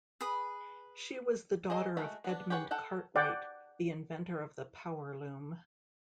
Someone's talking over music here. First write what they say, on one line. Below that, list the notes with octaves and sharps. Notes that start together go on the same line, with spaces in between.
She was the daughter of Edmund Cartwright, the inventor of the power loom.
G#4 B4 B5 D#6
G#4 C5 D#5 G#5
G#3 A3 F#4 B5
B3 D4
G4 G#4 B4 C#5 F#5
A4 F#5 G5
D5 F#5 G5